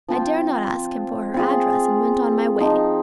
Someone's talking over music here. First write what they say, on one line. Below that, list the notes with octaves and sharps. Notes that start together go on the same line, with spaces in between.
I dared not ask him for her address, and went on my way.
F3 C4 F4 C5
C4 F4 G#4
F3 C4 D#4